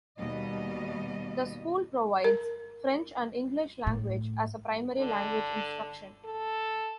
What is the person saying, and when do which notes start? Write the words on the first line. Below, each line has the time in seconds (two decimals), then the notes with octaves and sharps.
The school provides French and English language as a primary language instruction.
0.18 D#2 B2 G3 D#5
2.24 A#4
3.87 A2
4.98 D3
6.25 A4